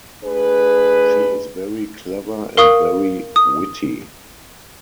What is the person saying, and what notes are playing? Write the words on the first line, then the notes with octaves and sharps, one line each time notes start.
She is very clever and very witty.
A3 D4 G#4 B4
A#4 F5 C#6 D#6
D#6